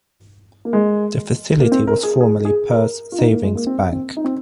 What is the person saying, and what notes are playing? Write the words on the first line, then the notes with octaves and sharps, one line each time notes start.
The facility was formerly Perth Savings Bank.
A#3
G#3
A#3
C4
A#4
G#4
G#4
G#4
A#4
F4
D#4
A#3
G#3
A#3
C4
C4
D#4
C4